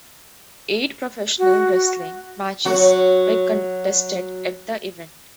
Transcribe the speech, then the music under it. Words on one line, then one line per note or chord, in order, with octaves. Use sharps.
Eight professional wrestling matches were contested at the event.
F#4
F#3 F#4